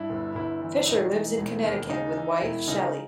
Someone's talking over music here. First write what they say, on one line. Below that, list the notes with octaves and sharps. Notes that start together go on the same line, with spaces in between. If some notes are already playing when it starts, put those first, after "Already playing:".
Fisher lives in Connecticut with wife, Shelly.
Already playing: G2 E4
G1
G1 E4
E3
E1 D#4
E3
E1
D#2
C#3 D#4
E3
E1 E4
C#3 D#4